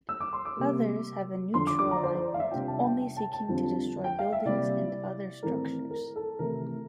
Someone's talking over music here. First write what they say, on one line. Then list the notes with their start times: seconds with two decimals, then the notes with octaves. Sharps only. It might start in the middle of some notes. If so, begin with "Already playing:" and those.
Others have a neutral alignment, only seeking to destroy buildings and other structures.
0.09 E6
0.21 D6
0.33 C6
0.45 D6
0.57 C3 G3 A#3
1.54 F2 D3 F3 C6
1.67 D6
1.79 D6
1.91 D5 A#5
2.03 C5
2.15 C5
2.28 D5
2.34 F5
2.40 E5
2.51 C3 G3 D4 F4 G5
2.67 A5
2.84 G5
3.00 G5
3.17 A5
3.32 A5
3.48 F2 D3 G3 C4 F4
4.04 G5
4.19 F5
4.33 E5
4.46 C3 G3 A#3 E4 D5
5.43 A2 E3 A3 C4 A#4
5.90 A#4
6.16 A4
6.39 C3 E3 A3 E4 A#4